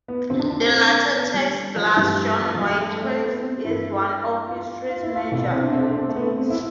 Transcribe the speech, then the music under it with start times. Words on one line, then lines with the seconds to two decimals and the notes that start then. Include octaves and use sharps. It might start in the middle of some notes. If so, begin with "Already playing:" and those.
The latter text blasts John Wycliffe as one of history's major heretics.
0.08 B3
0.30 F2 D3 C4
0.40 D4
0.50 D4
0.61 C4
1.14 B3
1.34 G3
1.76 F3
1.96 G2 E3 G3
2.39 F3
2.55 F3
2.60 G3
2.81 A3
3.02 A3
3.23 B3
3.43 C4
3.64 G2 E3 E4
4.49 F4
4.90 F4
5.03 E4
5.15 F4
5.32 C2 B2 E4
5.53 C4
5.63 D4
5.73 C4
5.83 D4
5.93 C4
6.09 A3
6.16 B3
6.37 C4
6.50 E4